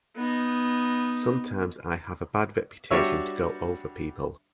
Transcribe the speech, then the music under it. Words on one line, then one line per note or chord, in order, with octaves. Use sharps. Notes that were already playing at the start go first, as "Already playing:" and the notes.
Sometimes I have a bad reputation to go over people.
B3 D#4
G3 D4 F#4 C#5 E5